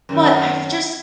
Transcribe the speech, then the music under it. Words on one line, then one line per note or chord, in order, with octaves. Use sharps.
but I've just
F#2 D3 D#3